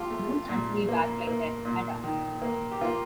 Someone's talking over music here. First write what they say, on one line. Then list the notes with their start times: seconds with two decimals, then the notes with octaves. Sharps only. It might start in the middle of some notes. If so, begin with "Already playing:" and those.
Don’t answer me back like that, Ada.
Already playing: A3 F4 G4
0.10 A3
0.49 A#2
0.89 A#3
1.27 A#3
1.65 A#2
2.04 D#3
2.42 A#3
2.71 G4
2.81 A#3 F4